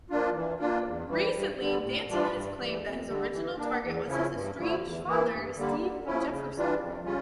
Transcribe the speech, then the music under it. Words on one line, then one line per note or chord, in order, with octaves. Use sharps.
Recently, Danton has claimed that his original target was his estranged father, Steve Jefferson.
F3 A#3 D4 F4
E3
A#3 D4 F4
E2
E3 G3
G2
D3 G3
A2
E3 G3 D4 F4
G2
E3 G3
F2
D3 G3
E3
A#3 D4
E2
C#3 F3 C#4 E4
G2
D3 F3 A3 E4
E2
E3 A#3 E4
G2
D3 G3 A#3
D3
F3 C#4 E4
C#3
E3 G3 D4 F4
F2
C#3 G3 C#4 F4